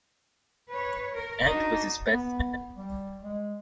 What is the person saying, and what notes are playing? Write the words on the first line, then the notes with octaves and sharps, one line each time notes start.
Ant was his best man.
B4 C#5
A#4
D4 D#4 F#4
B3
G3
G#3